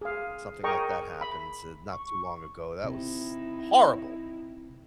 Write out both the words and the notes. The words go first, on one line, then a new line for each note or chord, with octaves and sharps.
Something like that happened, eh, not too long ago, that was horrible.
G#4 F5
G#4 A#4 D#5 G5 A#5 C#6
B5
C#6
C3 D#4 E4